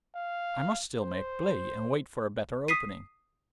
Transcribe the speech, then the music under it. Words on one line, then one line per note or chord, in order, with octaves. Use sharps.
I must still make play and wait for a better opening.
F5
C5
D#6 B6 C7 D#7